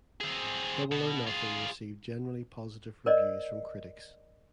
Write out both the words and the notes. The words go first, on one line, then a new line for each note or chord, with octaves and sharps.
Double or Nothing received generally positive reviews from critics.
C4 G#4
B2
F4 G#4
A#4 C5 D5 D#5